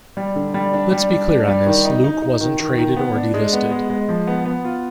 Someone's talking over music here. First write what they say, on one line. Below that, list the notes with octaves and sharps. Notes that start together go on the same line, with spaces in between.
Let's be clear on this, Luke wasn't traded or delisted.
G3
D3
G3
D4
G3
D4
D4
G3
D#3
D#4
D#4
D#4
D#3
D#3
D#3
B3
D4
G#3
B3
G#3
G#3
F3
B3
B3
F4